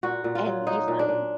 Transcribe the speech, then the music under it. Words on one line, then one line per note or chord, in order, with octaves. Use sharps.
And you find
A#2 F#4
A#2
F4
F#3
F#3 D#4
A#2
D4
A#2